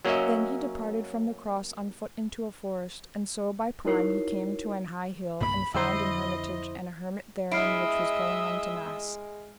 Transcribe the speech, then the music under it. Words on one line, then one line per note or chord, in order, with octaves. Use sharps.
Then he departed from the cross on foot into a forest; and so by prime he came to an high hill, and found an hermitage and a hermit therein which was going unto mass.
F#3 A#3 C#4 F#4 D#5 E5
D#4 E4 F#4 A#4 C#5 C7
C2 G2 A#3 B5
F2 D3 F3 E4 C5 D#5
G#3 E4 D#5 E5 F6 C7 D7